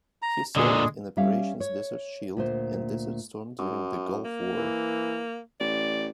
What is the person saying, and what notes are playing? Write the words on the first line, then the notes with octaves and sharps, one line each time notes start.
He served in Operations Desert Shield and Desert Storm during the Gulf War.
A#5
A#2 D3 G#3 G#4
G3 C#4 E5 F5
C#5
D2 A#2 C5
F#2
A#3
E3
A1 D5